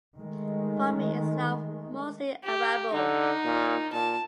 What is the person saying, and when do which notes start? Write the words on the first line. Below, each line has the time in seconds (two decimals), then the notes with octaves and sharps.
Farming is now mostly arable.
0.21 D#3 G#3 A3
2.44 G4
2.93 D3 D#4
3.45 A#2
3.93 A#2 A5